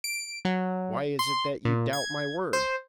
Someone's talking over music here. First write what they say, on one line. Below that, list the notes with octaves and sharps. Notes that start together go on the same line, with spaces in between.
"Why is it that you doubt my word?"
D7
F#3
C6
A#2
G#6
C5